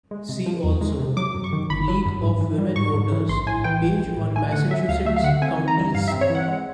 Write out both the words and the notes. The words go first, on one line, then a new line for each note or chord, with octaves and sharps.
See also: League of Women Voters page on Massachusetts counties.
G#3
C3
F3
E2
G#3
C3
F#3 D6
F#2
C#6
D#3
G1 B5
F#3
F#2
G#2
E3
G3
G#2 C#6
G#2
E3
A#1 C6
A2 G#5
E3 G5
A#1
A#1
A2
A3 G#5
D3 F#5
F#3 E5
D2 F5
A3 E5
F5
D3 F#5
C4 G#5
E3
A#5
G3
G2 F5
E5
C4
C#5
E3 F#5
G#3